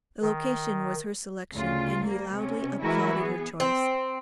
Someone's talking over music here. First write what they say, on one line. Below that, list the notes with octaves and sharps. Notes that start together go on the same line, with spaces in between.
The location was her selection and he loudly applauded her choice.
D#3
D2 C#3 F4
G3 A#3
C3 C#4
E3 G#3 E4 F#4 A#4 B4
B3 G#4
C4